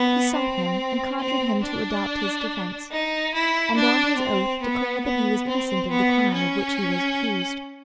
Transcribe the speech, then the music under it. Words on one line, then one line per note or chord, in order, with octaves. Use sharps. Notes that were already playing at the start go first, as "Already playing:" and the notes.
He sought him, and conjured him to adopt his defence, and on his oath declared that he was innocent of the crime of which he was accused.
Already playing: B3
C4
C4
D4
D#4
E4
D4
C4
B3
B3
C4
B3
C#4